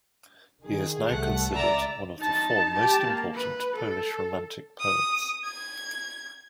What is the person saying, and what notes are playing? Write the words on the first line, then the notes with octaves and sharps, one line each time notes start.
He is now considered one of the four most important Polish Romantic poets.
D#3 G#4
C2 A3 F#5
C#2 D5 E5 A#5 A6
D#4 A5
G4 A5
A#3
B4
A4
D#6
G#6